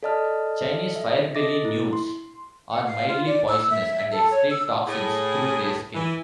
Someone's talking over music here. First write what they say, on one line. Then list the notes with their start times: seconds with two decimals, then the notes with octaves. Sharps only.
Chinese fire belly newts are mildly poisonous and excrete toxins through their skin.
0.03 A4 D5 D#5 A5 F6
0.96 E5
1.35 A4 D#5 D6 A6 A#6
1.65 E4
1.93 C6
2.70 F#5
2.86 F5
3.08 F4
3.26 D5
3.49 E6
3.70 E5
4.11 A4
4.30 C#5
4.51 E6
4.87 A2 G#4
5.95 E3